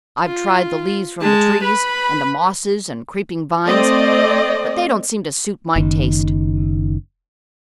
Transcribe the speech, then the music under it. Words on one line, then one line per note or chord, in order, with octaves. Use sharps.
I've tried the leaves from the trees and the mosses and creeping vines, but they don't seem to suit my taste.
F4
G#3 A5
B4 B5
A3 C4 D5 D#5
F#1 D#3